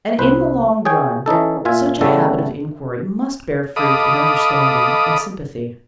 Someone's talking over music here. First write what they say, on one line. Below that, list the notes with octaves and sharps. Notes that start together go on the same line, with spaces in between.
And in the long run such a habit of inquiry must bear fruit in understanding and sympathy.
C2 B4 C5
G#4 C#5 G5 G#5
E3 C#4 D#4 A4
A#2 F4 E5 G#5
A2 C#3 G3 A3 B3 A4
A4 D#5 F5 B5 D6 D#6